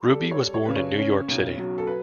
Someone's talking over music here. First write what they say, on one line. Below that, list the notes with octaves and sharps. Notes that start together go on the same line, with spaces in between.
Ruby was born in New York City.
G3 A4
C#5
G3
C#5
C#3 B4
C#5
C#4
B1
F#3
A4
B4